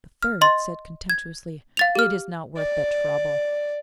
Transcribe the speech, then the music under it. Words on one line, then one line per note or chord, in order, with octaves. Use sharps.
But the third said contemptuously, 'It is not worth the trouble!
F6
D#5 C6 A6
G#6
F5 A6 F7
G4 F6
D5